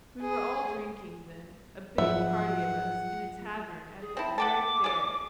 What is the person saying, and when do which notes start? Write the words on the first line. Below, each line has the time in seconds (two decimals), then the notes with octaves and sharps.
We were all drinking then, a big party of us, in a tavern at that very fair.
0.22 G#4
1.98 G#2 F3 F#3 F4 G#4 E5 F#5
4.01 G#4
4.17 C4 E4 A5
4.38 F#5 G5 A5 D6
4.84 G#4 D5